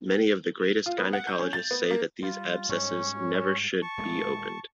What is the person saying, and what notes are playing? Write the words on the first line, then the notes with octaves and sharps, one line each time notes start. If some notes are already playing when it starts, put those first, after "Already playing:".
Many of the greatest gynecologists say that these abscesses never should be opened.
F4
B3
F#5
G6
C#4
A6
B3
A#3
G3 F4
G#2 G3 C#4 C#5
A5 C#6
D#1 G#3 A3